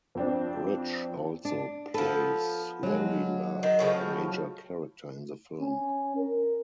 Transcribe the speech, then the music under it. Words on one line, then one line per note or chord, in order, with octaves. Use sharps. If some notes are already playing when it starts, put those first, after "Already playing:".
Rich also plays Larry Love, a major character in the film.
F2 C4 D4
D4
F3 B3 A4
F#3 G#3
D#3
A2 C#3 F3
C#4
A#4